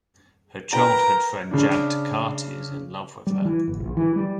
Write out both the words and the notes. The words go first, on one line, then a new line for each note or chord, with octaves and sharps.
Her childhood friend Jad Takarty is in love with her.
A#4 B4 G5 A#5
C#3 D4
G3
E3
G1
A#1
E3
G3